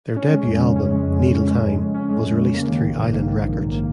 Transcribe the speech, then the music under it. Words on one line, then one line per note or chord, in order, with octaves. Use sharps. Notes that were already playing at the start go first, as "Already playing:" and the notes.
Their debut album "Needle Time" was released through Island Records.
C#4
G#3
F2
C#3
C#4
G#3
F2
C#3
C#4
G#3
F2
C#3
C#4
G#3
F2
C#3
A#3
D#3
A#1
G#2
A#3
D#3
A#1
G#2
A#3